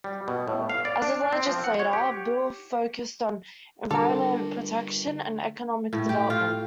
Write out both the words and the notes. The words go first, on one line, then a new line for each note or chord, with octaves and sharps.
As a legislator, Bill focused on environmental protection and economic development.
G3
B2
A2
F5
D5
D4
C4
F3
F#5
C#5
G4
D3 G3 D4 A4 A#4
A2
G4
F4